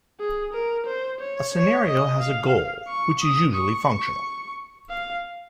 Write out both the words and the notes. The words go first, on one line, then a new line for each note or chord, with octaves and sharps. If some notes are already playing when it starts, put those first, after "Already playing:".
A scenario has a goal, which is usually functional.
G#4
A#4
C5
C#5
C#5
D#5
F5
C#6
D#6
C#6
F5